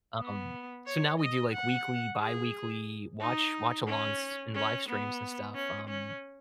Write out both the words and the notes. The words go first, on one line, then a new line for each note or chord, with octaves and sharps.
Um, so now we do, like, weekly, biweekly watch watch-alongs and livestreams and stuff, um.
B3
C#5
D#5
F#5
G#4
D#4
C#4
C#4
B3
C#4
C#4